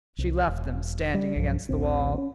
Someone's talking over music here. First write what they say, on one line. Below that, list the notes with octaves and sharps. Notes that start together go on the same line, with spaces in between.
She left them standing against the wall.
C2
E1
G3
B1 G2 F3
A1 D2 C4
C4 C#4